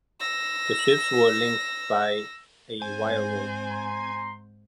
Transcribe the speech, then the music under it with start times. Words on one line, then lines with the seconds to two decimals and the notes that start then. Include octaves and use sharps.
The ships were linked by a wire rope.
0.20 E6 A#6
2.82 G#2 C4 C5 G#5
3.72 A#5 C6